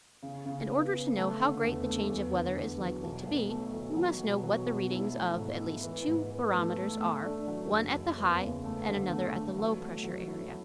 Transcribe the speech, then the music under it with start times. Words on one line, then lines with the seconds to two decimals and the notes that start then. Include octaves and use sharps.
In order to know how great the change of weather is likely to be, we must know what the readings of at least two barometers are--one at the high- and another at the low-pressure area.
0.23 C#3
0.46 C#3
0.69 B3
0.92 C#3
1.16 A3
1.40 D3
1.63 E2
1.86 A3
2.10 E2
2.33 D3
2.56 E2
2.80 F#3
3.04 B1
3.27 B1
3.50 A3
3.73 B1
3.97 F#3
4.21 B2
4.43 F#3
4.67 B1
4.91 E4
5.13 A3
5.36 G#2
5.60 E4
5.83 E3
6.07 G#2
6.30 E3
6.54 A3
6.76 A3
7.00 A3
7.24 D4
7.47 F#3
7.70 F#1
7.94 F#1
8.17 E2
8.41 C#3
8.64 A3
8.88 D3
9.11 A3
9.34 A3
9.58 F#3
9.81 A3
10.04 F#3
10.28 E4